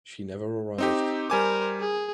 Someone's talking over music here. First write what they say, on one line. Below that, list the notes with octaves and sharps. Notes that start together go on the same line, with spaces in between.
She never arrived.
C4 D#4 G4
G3 A#4 C5 G#5 D6
G#4